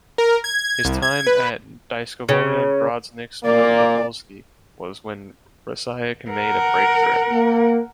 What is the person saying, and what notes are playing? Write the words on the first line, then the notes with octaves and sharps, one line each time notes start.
His time at Dyskobolia Grodzisk Wielkopolski was when Rasiak made a breakthrough.
A#4
G#6
C2
G#6
B4
C#3
A#2 A#3 D5
A#4 F#5
A#3